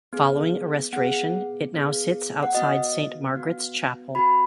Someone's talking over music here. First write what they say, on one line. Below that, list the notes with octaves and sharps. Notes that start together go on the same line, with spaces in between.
Following a restoration, it now sits outside Saint Margaret's Chapel.
B3 G#4
B3 G#4 F#5
B3 G#4
F#5
B3 F#4 D#5
B3 F#4
B3 F#4 B5